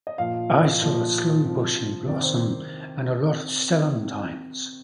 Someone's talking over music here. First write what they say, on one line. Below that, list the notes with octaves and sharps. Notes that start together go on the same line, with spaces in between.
I saw a sloe-bush in blossom and a lot of celandines.
D#5
A#2 F3 F5
D#5
A#2 F3
C3 F3
C3 D#3 D5
C5